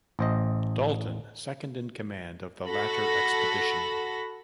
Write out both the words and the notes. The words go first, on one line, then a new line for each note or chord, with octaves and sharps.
Dalton, second-in-command of the latter expedition.
A1 C5 D#5
F#4 A4 B5 A#6